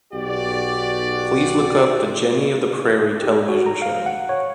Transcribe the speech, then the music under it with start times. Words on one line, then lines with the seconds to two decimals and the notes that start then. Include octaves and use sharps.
Please look up the Jenny of the Prairie television show.
0.13 B1 F#4 G4 D5
3.22 G4
3.49 F#4
3.66 A#5
3.82 F5
4.06 F#5
4.29 C#5